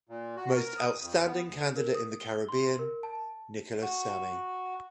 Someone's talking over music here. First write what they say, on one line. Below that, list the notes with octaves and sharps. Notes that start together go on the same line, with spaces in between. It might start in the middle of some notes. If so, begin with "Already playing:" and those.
Most Outstanding Candidate in the Caribbean- Nicholas Sammy.
A#2
F#4
A#4
D#6
F2
B3
D2
A#4
D#6
G7
C6
A#4
A5
F#4